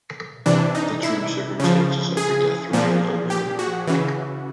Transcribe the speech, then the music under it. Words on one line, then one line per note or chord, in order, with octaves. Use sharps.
The true circumstances of her death remain unknown.
C3 E3 D4
D#4
E4
C#3 F3
G#4
A#2 F3
G4
F#4
C#3 E3